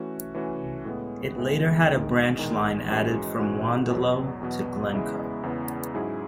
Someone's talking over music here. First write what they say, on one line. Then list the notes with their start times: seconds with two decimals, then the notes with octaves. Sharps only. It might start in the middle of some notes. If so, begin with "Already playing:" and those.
It later had a branch line added from Wandilo to Glencoe.
Already playing: E3 A3 C#4 F#4
0.34 E3 A3 C#4 F#4
0.85 A2 G#3 B3
1.36 A2 G#3 B3
1.87 E2 D#3 G#3
2.38 E2 D#3 G#3
2.89 G#2 E3 G#3 C#4 F#4
3.39 G#2 E3 G#3 C#4 F#4
3.90 E2 B2 F#3 B3
4.41 E2 B2 F#3 B3
4.92 E2 C#3 G#3 B3 E4
5.43 E2 C#3 G#3 B3 E4
5.94 G#2 F#3 C#4 E4 G#4